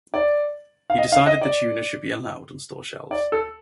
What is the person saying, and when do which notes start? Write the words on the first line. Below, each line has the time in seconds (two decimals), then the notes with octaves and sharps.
He decided the tuna should be allowed on store shelves.
0.14 D5
0.90 F5
0.98 D#5
1.12 F5
1.26 D#5
1.41 D5
3.11 D5
3.32 A4